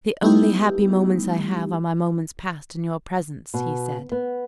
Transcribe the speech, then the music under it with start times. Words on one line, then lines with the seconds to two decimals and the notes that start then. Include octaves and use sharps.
"The only happy moments I have are my moments passed in your presence," he said.
0.22 G3 A3 B3 D#4 E4 G4
3.54 B2
4.12 B3